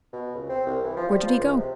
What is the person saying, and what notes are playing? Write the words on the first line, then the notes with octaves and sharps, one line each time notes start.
Where did he go?
B2
C#2
C4
C2
E3
F3
G3
F3
C#2
C3